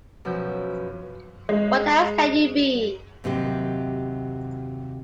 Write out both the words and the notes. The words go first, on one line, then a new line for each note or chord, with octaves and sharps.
What else can you be?
F#2 B2 F3 E6 G6
G#3
D#2 C3 F#3 G4